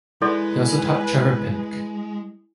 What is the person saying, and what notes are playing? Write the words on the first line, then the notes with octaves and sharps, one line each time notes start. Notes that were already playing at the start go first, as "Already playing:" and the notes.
He also taught Trevor Pinnock.
G#3 E4 A4 B4 D5 G#5 C6